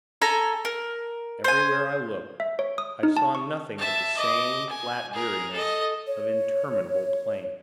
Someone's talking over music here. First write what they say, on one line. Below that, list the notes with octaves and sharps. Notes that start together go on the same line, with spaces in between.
Everywhere I looked, I saw nothing but the same flat weariness of interminable plain.
A4 G#5 A#5
A#4
C5 G#5
E5
C#5
D#6
D#4
A5
C#6
E5 A5
D#5 D6
G#5
G#4 A#4
A4 D#5
C#5